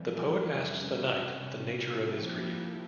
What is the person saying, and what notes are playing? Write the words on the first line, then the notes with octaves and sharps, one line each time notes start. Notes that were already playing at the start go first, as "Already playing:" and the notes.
The poet asks the knight the nature of his grief.
Already playing: F2 E3 G3
C3 G3 C#4
F3 A#3 E4 G4